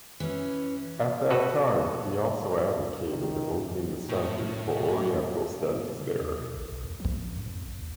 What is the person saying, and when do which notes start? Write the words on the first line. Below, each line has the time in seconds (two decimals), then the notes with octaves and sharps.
At that time, he also advocated opening the Center for Oriental Studies there.
0.20 E3 C#4
1.31 F#4 A4 B4
3.07 D#3
4.09 A2
6.00 C#3
6.20 D#2
6.39 B2
6.57 A1
6.71 C2
6.84 E2
7.00 F3
7.14 F#2
7.36 G#2
7.47 F2
7.65 A1
7.79 D#2